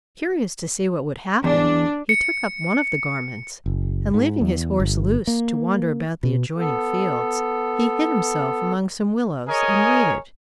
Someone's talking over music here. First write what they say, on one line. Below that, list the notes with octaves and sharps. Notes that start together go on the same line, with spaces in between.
Curious to see what would happen, he took up one of the garments, and leaving his horse loose, to wander about the adjoining fields, he hid himself among some willows and waited.
E2 D4
C#7
F#1
G#2
E2
G1
A#3
B2
B3 A4
G#4 A#4 C#5 D#5 G#5